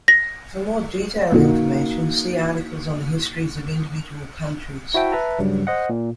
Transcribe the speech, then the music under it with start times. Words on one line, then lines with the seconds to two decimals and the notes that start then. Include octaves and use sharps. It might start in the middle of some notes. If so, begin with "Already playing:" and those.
For more detailed information, see articles on the histories of individual countries.
0.08 A#6
1.32 F2 A#2 D3 A#3 D#4 F#4
4.94 E4 F#4 C5 E5 G5 A5
5.12 B4 E5 A5 A#5
5.39 G2 C#3 F#3 G3
5.67 C5 D#5 F#5
5.89 A#2